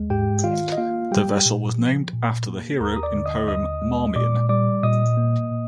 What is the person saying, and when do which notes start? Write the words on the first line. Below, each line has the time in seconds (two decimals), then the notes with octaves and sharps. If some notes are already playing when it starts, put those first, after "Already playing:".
The vessel was named after the hero in poem Marmion.
Already playing: D#2 G#3
0.10 G#2 G4 G5
0.44 D#3 F4 F5
0.72 D#5
0.77 A#3 F4 F5
1.11 G3 G4 G5
1.45 A#2
1.79 F3
2.13 A#2
2.47 A#3
2.80 D#2 A#4 A#5
2.96 D#6
3.03 D5 D6
3.14 D3
3.26 D#5 D#6
3.48 D#2 D#5 D#6
3.82 G#3
4.16 A#2 D5 D6
4.49 G3 D5 D6
4.83 A#2 D#5 D#6
5.17 A#3
5.51 A#2